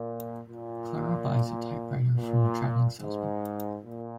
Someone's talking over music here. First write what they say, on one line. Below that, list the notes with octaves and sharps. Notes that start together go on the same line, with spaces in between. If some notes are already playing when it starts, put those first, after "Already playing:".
Clara buys a typewriter from a traveling salesman.
Already playing: A#2
A#2
A#2
G#2
A#2